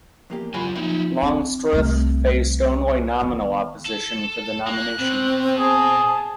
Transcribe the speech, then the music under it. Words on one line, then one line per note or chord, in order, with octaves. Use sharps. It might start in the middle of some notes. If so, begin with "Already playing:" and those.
Longstreth faced only nominal opposition for the nomination.
E2 A#3 G4
C#2 F#3 F4 G#5 B5
F2 A#2 F3 D#4 E4
C4
C2 A3
D#3 B3
A4
A#3 F#6
B2 C4
G#4 A5